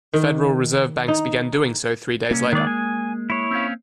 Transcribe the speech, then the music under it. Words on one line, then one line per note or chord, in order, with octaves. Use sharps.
The Federal Reserve banks began doing so three days later.
D#3
D#4
C2 A#3 C#4
D#3 G#3 D5
G#5
E4 C#5
C4 C#4 F5